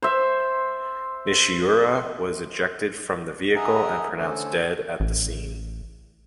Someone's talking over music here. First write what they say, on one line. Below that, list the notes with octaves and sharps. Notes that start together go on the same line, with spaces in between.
Nishiura was ejected from the vehicle and pronounced dead at the scene.
C5 E5
G#4 D#5 E5 F#5 G#5 A#5
D3 A3 C#4 A4 C5 G#5
A1